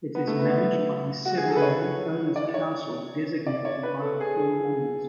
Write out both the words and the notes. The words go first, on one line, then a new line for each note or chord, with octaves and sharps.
It is managed by a seven-man Owner's Council designated by the four owners.
B3
A3
B3
F#4
G#4
A4
B4
C#5
D5
C#5
D5
C#5
B4
A4
G#4